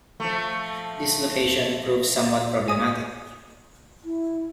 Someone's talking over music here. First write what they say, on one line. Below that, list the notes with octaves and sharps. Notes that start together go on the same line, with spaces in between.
This location proved somewhat problematic.
F3 A3
G#5 D#6
E4